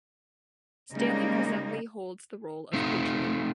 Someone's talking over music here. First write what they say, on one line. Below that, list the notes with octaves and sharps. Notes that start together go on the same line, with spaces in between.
Stanley presently holds the role of Patron.
C#3 G3 G#3 A#3 D#4
A3 C4 D#4 F5